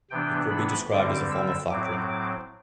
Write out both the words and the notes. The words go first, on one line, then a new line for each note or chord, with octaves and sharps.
It could be described as a form of factoring.
C3 E3 B3 D4 G5
B5
D3 G3 C4 D6
E6
A2 F#3 C4 D6